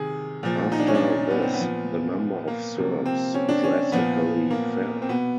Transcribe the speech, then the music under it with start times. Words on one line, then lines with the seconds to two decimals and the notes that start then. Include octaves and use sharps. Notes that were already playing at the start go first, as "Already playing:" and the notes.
After this, the number of Serbs drastically fell.
Already playing: C3 D#3 G#4
0.43 A#2 F3
0.72 D#4
0.80 D4
0.88 C#4
0.95 D4
1.30 B3
1.42 C4
1.54 B3
1.60 A#2 F3
2.48 A#3
2.77 C3 F3
3.06 C4
3.34 C#4
3.49 D4
3.64 C#4
3.92 A#2 F3 B3
4.51 A#3
5.02 C4
5.09 B2 B3